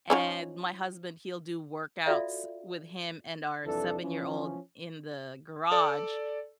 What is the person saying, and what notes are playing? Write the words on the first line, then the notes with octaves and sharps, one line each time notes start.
and my husband, he'll do workouts with him and our seven-year-old in the garage,
F3 C#4 D#4
F4 F#4 A4 D5 E5 F5
C2 F2 E3 D4 A4
E3 F3 C#4
A4 D5